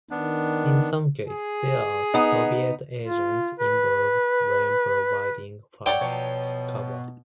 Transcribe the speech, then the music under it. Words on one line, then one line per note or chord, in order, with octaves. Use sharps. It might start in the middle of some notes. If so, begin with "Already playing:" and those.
In some cases there were Soviet agents involved when providing false cover.
D#3 B3 D4
G#4
B3 D#4
F4
B4
F#3 D5 F#5 G5
B2 F3 C#5